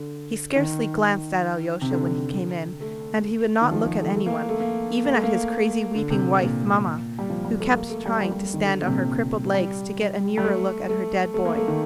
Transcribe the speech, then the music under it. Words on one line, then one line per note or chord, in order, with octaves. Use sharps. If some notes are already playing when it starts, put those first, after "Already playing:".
He scarcely glanced at Alyosha when he came in, and he would not look at any one, even at his crazy weeping wife, "mamma," who kept trying to stand on her crippled legs to get a nearer look at her dead boy.
Already playing: D3
D#3
C3
D3
A3
D#3
F3
F3
A3
A3
A#3
A3
A#3
A#3
A3
A#3
D3
C3
A#2
G3
F3
G3
A3
A#3
A3
G3
G3
G3
D#3
D3
A#2
C3
G3
G3
A3
A3
A3
A#3
A3
D#3